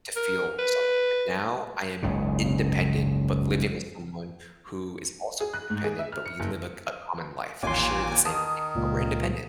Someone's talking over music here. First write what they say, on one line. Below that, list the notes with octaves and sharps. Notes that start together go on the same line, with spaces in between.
to feel something, but now I am independent, but living with someone who is also independent, but we live a c a common life, we share the same things, but we're independent
A#4
B4
F#1 C#2 G#2 C#3
G#4
F#6
G#2
G#4
E5
F6
C#7
F#1
A1 D#2 A#2 G#5 C6 D6
D#3 A5 D#6
C#2 A#2